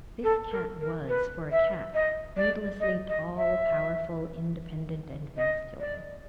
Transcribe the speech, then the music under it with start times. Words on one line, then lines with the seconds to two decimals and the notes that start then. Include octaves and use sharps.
This cat was, for a cat, needlessly tall, powerful, independent, and masculine.
0.23 A4
0.52 A#4
0.80 A#4
1.08 B4
1.52 E5
1.94 D#5
2.37 D5
2.80 D#5
3.09 D#5
3.37 E5
5.37 D#5
5.80 D5